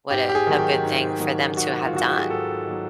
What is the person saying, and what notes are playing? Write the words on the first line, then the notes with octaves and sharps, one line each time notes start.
What a a good thing for them to have done."
G#2 G4
G4
G#4
D#3 F#3
G4
G#2
D#3 F#3
G#2 F#4
F4
D#3 F#3 F#4
G4
G#4
G#2 A4
D#3 F#3